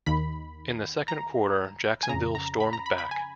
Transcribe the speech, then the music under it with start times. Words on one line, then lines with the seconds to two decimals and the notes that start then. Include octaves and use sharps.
In the second quarter, Jacksonville stormed back.
0.06 D#2 D#3 B5
1.08 A#5
2.03 G#5
2.09 F2 C#3 A#5
2.35 A#5
2.60 B5
2.73 A#5
2.86 B5
2.98 B5
3.11 G#5